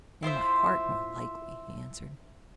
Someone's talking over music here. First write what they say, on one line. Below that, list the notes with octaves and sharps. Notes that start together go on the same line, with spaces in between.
"In my heart, more likely," he answered.
E4 F4 C5 E5